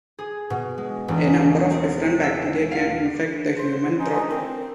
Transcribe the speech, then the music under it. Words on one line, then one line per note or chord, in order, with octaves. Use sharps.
A number of different bacteria can infect the human throat.
G#4
B2
G#3
E1
C4
E5
F5
C5 C6
D#4 G#5
C4 A#4